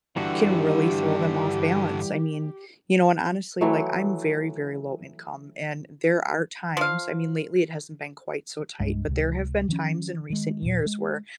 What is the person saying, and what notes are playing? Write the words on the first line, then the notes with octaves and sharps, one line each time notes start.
can really throw them off balance. I mean you know, and honestly, like, I'm very, very low income, and there are times- I mean, lately, it hasn't been quite so tight- but there have been times in recent years where
G2 D3 E3 G3 F#4 G4
E3 F#3 A3
F3 F5
C2 G2 G#3
C#2 C3
D#3 F3 B3 C#4
D#3 G#3
D#1 A#2
G#3